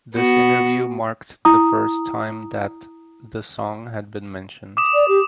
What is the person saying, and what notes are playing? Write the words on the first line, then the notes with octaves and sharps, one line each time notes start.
This interview marked the first time that the song had been mentioned.
B3 F#4
E4 A#5 D#6
D6 D#6 E7
D5
G4